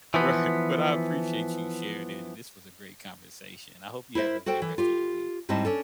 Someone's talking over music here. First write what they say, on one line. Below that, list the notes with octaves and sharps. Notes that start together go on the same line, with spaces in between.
Right, but I appreciate you sharing it, and this was a great conversation. I hope you have a good rest of your week.
E3 F3 B3
E4 A#4 C5 E5
F#4 A4 C5 G5
E3
F4 G4
G#2 G3 C4 E4 D#5 A5
C#4 D4 A4